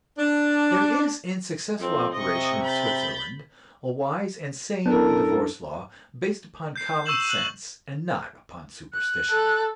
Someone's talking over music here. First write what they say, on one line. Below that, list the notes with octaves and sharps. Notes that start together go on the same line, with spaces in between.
There is in successful operation in Switzerland a wise and sane divorce law, based upon common sense and not upon superstition.
D4
F2 C4
C3 D#5 C#6
B5 G6 A6
F#2 B3 D4 E4 A4 A#4
G6 C7
C#6 E6 G6 E7 F#7
F#6 F#7
F#6
A4